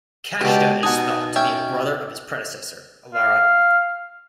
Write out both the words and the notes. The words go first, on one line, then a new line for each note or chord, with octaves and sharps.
Kashta is thought to be a brother of his predecessor Alara.
C#2 B2 G4 D5
B2 D#4 F#5 G#5 A5 D#6
C#4 E5 G5
F5